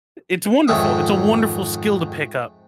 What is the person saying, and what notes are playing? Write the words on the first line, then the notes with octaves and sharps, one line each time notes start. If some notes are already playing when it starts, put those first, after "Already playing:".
It's wonderful. It's a wonderful skill to pick up,
F2 G#2 D#3 C#5 E5 D#6